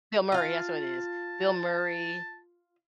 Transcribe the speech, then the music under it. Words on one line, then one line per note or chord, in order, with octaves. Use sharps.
Bill Murray, that's what it is. Bill Murray
F4 F5 A5